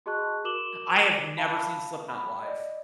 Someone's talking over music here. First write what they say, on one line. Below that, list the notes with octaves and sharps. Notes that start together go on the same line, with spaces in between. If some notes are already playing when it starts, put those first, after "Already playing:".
I have never seen Slipknot live.
F#4 G#4 D#5 A5 C#6 F#6
F#4 A#4 D6 E7 F#7 G7
F5 A5 B5
B5
D5 D#5